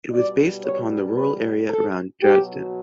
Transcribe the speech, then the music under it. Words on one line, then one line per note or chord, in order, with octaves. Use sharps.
It was based upon the rural area around Dresden.
B2 G3 D5
C#5
B4
A4
B2 F#3 G4